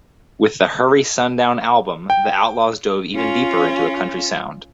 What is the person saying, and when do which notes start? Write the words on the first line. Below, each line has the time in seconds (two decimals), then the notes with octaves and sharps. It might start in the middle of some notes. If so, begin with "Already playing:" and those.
With the "Hurry Sundown" album the Outlaws dove even deeper into a country sound.
2.10 G5
3.16 C#4 F4